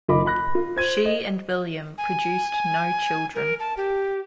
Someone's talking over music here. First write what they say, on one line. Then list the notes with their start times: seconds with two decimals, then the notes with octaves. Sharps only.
She and William produced no children.
0.08 F#1 D#3 F4 D#5 B5 D6
0.26 B5 F#6 A#6
0.55 F4
0.76 C5 G#6 D#7
1.05 D#5
1.98 G#5
3.35 A#4
3.60 A5
3.77 G4